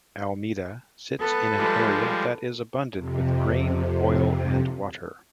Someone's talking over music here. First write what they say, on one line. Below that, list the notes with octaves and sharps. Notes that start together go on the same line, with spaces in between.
Alameda sits in an area that is abundant with grain, oil and water.
B3 A4 B4
F3 G3 G#3
F2 C3